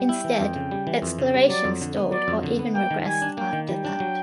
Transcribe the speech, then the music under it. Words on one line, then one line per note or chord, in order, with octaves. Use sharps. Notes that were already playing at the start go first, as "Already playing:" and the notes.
Instead, exploration stalled or even regressed after that.
Already playing: G3 G5
E4
E3
F2
C#3
G3
E3
F2
C#3
G3
F#3 D5
F2
D3
B3
F#3 D5
F2
D3
B3
A#3 G5
D#3
G3 G#5
D4
A#3 G5
D#3
G3 G5
D4
F#3